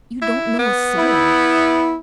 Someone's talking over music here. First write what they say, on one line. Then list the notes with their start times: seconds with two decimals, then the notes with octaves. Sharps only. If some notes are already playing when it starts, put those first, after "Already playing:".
You don't know a soul.
0.22 E4
0.59 B3
0.97 E4